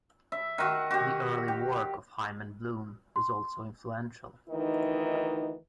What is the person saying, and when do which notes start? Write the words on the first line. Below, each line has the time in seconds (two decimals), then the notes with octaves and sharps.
The early work of Hyman Bloom was also influential.
0.32 E5
0.58 D#3 F#4
0.91 F#4 G4
1.48 G4
3.16 C6
4.49 D2 D#3 E3 D#4